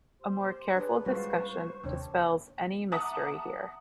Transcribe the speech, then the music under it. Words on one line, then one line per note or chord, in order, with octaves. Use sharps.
A more careful discussion dispels any mystery here.
G4 C5 C6
D4 G#4 B4 C#5
G3 G#3 C4 C#4 F4 F#4 C5 C#6
D#1 D#2 C3 C4 D4 C#5
E5 F#5 A5 A#5 D6 D#6